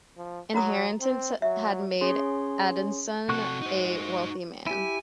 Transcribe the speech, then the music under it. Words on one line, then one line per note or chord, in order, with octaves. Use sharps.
Inheritances had made Adamson a wealthy man.
F3
F#3 F#4 A#5 D#6
C4
F#3 E5
C#4 G#4 C#5 C6
C3 F#4 A4 C#6 F#6
D#4 C5
E4 G4 G#5